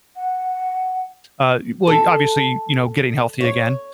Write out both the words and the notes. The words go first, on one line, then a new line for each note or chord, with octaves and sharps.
uh, y well, obviously, you know, getting healthy again.
F#5
A4
C#5